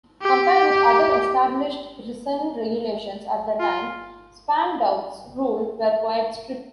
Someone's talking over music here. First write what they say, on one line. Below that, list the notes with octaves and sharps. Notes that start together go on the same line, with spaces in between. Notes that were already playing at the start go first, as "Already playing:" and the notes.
Compared with other established prison regulations at the time, Spandau's rules were quite strict.
G4
F4